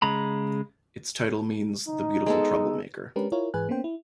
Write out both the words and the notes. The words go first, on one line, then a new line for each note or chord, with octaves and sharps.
Its title means "The Beautiful Troublemaker".
C#3 G#3 A#5 B5
D#4
G#3 B3 A4
G#3 C#4 D4 G4 A#4 B4
E4 F4 A#4 C#5
G#2 E3 G#4 B4 G#5 F#6
A#3 B3 C#4 C5 G5
E4